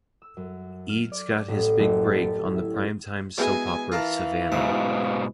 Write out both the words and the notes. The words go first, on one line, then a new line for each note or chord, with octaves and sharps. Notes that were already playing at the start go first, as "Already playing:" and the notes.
Eads got his big break on the primetime soap opera "Savannah".
E6
F#2
F6
D5
A1
F#1
A6
G4
E4
E5
C#4
B2 G#3 E4 G#4 G#5
E3 F4 A#4 F5 A5
G#2 B2 E5